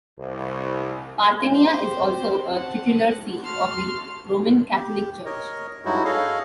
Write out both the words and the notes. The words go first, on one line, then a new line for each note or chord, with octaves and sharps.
Parthenia is also a titular see of the Roman Catholic Church.
C2
C4 G4 C5
F#5 A5
F#4 A5 C6 F6
G4
A#4 C#5 D#5
G2 F#3 G#3 D#4 E4 F#4
G#4 A4 C#5 D#5 F5